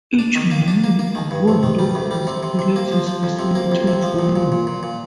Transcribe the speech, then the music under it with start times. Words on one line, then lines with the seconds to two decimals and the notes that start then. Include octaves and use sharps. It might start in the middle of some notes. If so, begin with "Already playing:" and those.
Each morning, a world of possibilities is waiting for you.
0.19 D4
0.35 D#3
0.51 A#3
0.68 D4
0.84 A#3
0.99 A#3
1.15 D#3
1.31 G2
1.48 C3
1.63 D#3
1.79 G3
1.95 D2
2.11 G3
2.27 C3
2.43 C3
2.59 C3
2.76 A#3
2.92 F3
3.07 F3
3.23 F2
3.39 C3
3.55 A#3
3.72 F2
3.88 C3
4.03 F3
4.19 A#2
4.36 A#2
4.52 A#2
4.67 A#2
4.83 A#2